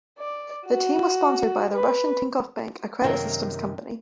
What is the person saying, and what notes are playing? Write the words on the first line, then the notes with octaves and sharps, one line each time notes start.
The team was sponsored by the Russian Tinkoff Bank, a credit systems company.
D5
F#4
B4
F#2 C3 D#3 A#3 A#4 G5